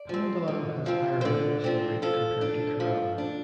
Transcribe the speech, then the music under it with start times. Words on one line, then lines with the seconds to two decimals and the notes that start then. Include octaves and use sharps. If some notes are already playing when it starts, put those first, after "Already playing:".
Pandalam has higher literacy rate compared to Kerala.
Already playing: D5
0.09 F3 C4
0.48 D3
0.86 F3 C4
1.21 C5
1.25 D3 D5
1.64 F3 C4
2.02 F3 A4
2.41 D4
2.80 F3
3.18 D4